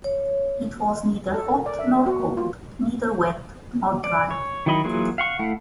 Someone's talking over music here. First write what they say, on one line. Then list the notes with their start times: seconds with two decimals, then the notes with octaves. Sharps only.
It was neither hot nor cold, neither wet nor dry.
0.04 C#5
1.34 A4
1.48 A#4
1.66 D5
1.79 E5
1.94 B3
2.06 F#4
2.20 A#3
2.37 F4
4.04 D5
4.31 C#5
4.66 D#3 F#3 E4 D#5 B5
4.84 E3 F#3 A#3 F4 G#4
5.18 F5 F#5 C#6
5.39 A3 E4 F5 F#5